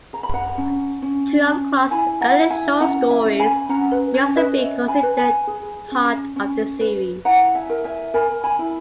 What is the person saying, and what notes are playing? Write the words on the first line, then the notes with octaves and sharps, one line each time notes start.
Two of Clarke's early short stories may also be considered part of the series.
G#4 A#5
B5
F#5 A#5
C#4
C#4
C#4
E4 G#5 B5
F#5 A#5
E4
E5 G#5
C#4 F#5 A#5
E5 G#5
C#4
G#5 B5
C#4 F#5 A#5
B4
C#4 C#5
B4 D#5
C#4 C#5 E5
G#5 B5
B4
G#5 B5
G#4
C#4
C#4
B4
E4 F#5 A#5
E5 G#5
A#4
E5 G#5
A#4 G#5 B5
G#5 B5
E4